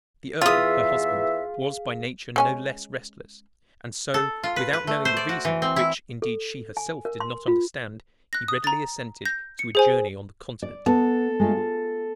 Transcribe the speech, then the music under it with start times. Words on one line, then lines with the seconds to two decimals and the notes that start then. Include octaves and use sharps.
The earl, her husband, was by nature no less restless; and so, without knowing the reason--which, indeed, she herself did not understand--he readily assented to a journey on the Continent.
0.42 E2 E3 F4 G#4 E5 F5 D#6
2.36 G#3 C#4 G#5
4.14 A4
4.43 F4
4.56 B4
4.73 B4
4.87 A3
5.05 C5
5.17 D5
5.29 F#4
5.45 E3
5.62 C4
5.76 E4
6.22 A4
6.77 G#5
7.05 A#4
7.20 C6
7.48 F4
8.33 F#6 A#6
8.48 D#6
8.64 A#5 A6
9.25 G6 A#6
9.59 C#7
9.75 G#4 C5 G#5
10.62 D5
10.86 B3 A4
11.40 G#3 A3 F4
11.57 F4